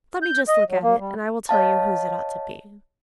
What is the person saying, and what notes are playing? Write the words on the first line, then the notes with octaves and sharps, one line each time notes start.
'Let me just look at it, and I will tell you whose it ought to be.'
G6
D#5
F#3
A#3
G3
C#5 D#5 F5 A5